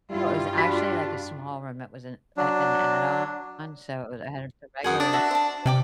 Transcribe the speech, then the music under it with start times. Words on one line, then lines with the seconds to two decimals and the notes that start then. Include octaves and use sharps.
Oh, it was actually, like, a small room, it was an, uh an add-on, so it was it had just a regular,
0.11 G2 G3 E4 F4
0.57 D4 F#4 B5 B6
2.37 F#3 D4
4.84 F#2 G#4 F#5 D#6
5.00 D4 D#6
5.13 F#4 E5 A5
5.31 C5 A5
5.66 C3 D5 G5 D6